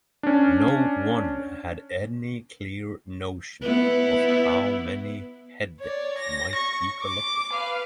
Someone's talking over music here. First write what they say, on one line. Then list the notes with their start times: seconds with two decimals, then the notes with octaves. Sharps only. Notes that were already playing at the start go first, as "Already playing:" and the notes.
No one had any clear notion of how many head might be collected.
0.23 C#4 D4
3.62 B3 E4
5.80 C#5 D5
6.18 A#6
6.55 C#6
7.02 D6
7.51 B4 F5